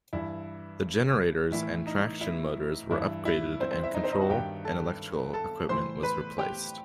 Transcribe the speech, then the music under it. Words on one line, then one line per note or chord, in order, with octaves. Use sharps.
The generators and traction motors were upgraded and control and electrical equipment was replaced.
G2 E3 E4
A2 E3 E4
D#4
E4
G2 E3 E4
E4
C4 C5
C4 C5
E4 E5
D#4 D#5
C4 C5
D#4 D#5
F#4 F#5
G2 D#3 G4 G5
A4 A5
A4 A5
A2 E3 C5 C6
B4 B5
G4 G5